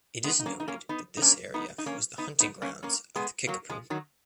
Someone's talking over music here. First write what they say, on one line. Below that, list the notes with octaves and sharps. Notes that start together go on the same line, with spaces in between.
It is noted that this area was the hunting grounds of the Kickapoo.
G#3 B3
D#4
A#3 C#4
D#4
A#3 C#4
B3 D#4
D#4
A#3 C#4
B3 D#4
D#4
A#3 C#4
B3 D#4
B3 D#4
A#3 C#4
A#3 C#4
G#3 B3
F#3 A#3
F3 G#3
D#3 F#3